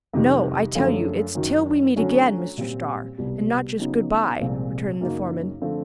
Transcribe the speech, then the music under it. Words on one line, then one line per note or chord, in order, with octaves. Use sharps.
"No, I tell you, it's TILL WE MEET AGAIN, Mr. Starr, and not Just 'good-by,'" returned the foreman.
F2 C3 D#3 G3
F#2 D3 F3 A3
F#2 D#3 F#3
D3 F#3 A3 C#4
A#2 G3 C4
C2 B2 G3 B3
C#3 F#3 B3 D#4
C2 A#2 F3 G#3 C4
F#2 C#3 F#3 A#3 D#4
D3 F3 A3 C4